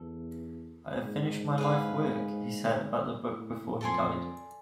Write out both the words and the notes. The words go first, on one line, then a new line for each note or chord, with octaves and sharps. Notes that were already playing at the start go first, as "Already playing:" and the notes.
"I have finished my life work", he said about the book before he died.
Already playing: E2 A4
G#2
G#4 B4 F5
A2
F2 A4 D5 G#5 C6